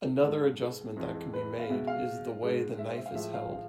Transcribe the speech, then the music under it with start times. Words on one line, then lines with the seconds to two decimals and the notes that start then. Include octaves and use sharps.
Another adjustment that can be made is the way the knife is held.
0.23 G#2 G#3 A4
0.96 F2 E3 G#3
1.34 B4
1.60 F5
1.70 B2 G#3 E5
1.87 F5
2.42 G#2 G#3
2.79 E5
2.89 C5
2.97 E5
3.06 F5
3.15 A2 F3 G#3 E5
3.34 F5
3.52 F5